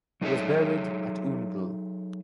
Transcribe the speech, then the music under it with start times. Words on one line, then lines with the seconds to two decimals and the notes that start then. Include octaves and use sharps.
He was buried at Oundle.
0.21 F#3 D#4 G#4 A4 C#5 E5